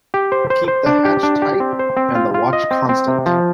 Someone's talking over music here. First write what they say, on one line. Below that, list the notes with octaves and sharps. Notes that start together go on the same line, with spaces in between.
Keep the hatch tight and the watch constant.
G4
C5
C5
C5
D4
G4
D4
G4
C4
C5
C4
F4
F4
D#5
C4
C4
C3
F3